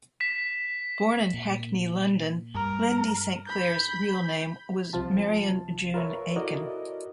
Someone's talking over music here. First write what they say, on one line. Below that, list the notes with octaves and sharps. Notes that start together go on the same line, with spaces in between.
Born in Hackney, London, Lindi Saint Clair's real name was Marian June Akin.
B6 E7
A#2
G2 A#4
B5 G6
C2 C3 F3 F4 A5
F4 A#4 B4 C#5 E5
E4 F#4 A4 A#4 D5 D#5